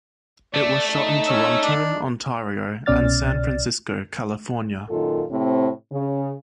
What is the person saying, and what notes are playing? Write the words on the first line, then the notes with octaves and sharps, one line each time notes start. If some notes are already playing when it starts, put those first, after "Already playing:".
It was shot in Toronto, Ontario, and San Francisco, California.
A3 D5
D#4
C#4 C#5 E6
D4
C2 B2 C#4 D5 F6 A6
F#2 A#2 D#3 F4 A4
A2 C3 C4
C#3